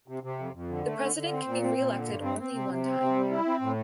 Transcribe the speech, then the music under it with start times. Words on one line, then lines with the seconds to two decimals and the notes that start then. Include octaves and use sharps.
The President can be re-elected only one time.
0.08 C3
0.23 C3
0.39 F2
0.54 F2
0.69 D3
0.85 A3
1.00 D3
1.16 D3
1.32 C4
1.47 A#2
1.62 C4
1.78 A#2
1.93 D3
2.08 G2
2.24 C4
2.39 C4
2.54 C3
2.69 C3
2.85 C4
3.00 C3
3.16 G3
3.31 E4
3.47 C4
3.61 A2